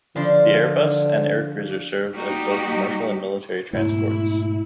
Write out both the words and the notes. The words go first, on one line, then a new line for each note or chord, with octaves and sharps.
The Airbus and Aircruiser served as both commercial and military transports.
D3 F3 D4
G3 A#3 D#4 F#4 G4
G#2 B2 A3 E4